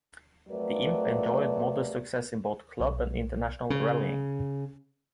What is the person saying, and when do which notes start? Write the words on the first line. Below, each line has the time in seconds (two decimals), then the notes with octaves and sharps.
The Imp enjoyed modest success in both club and international rallying.
0.49 F2 F#3 A3 A#4 B4 D5
2.80 B1
3.70 C#3